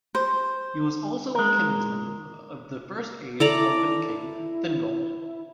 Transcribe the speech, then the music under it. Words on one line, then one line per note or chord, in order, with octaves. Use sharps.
He was also a kinsman of the First Age Elven King Thingol.
C5
G#3 A#4
E4 A4 D5 A#5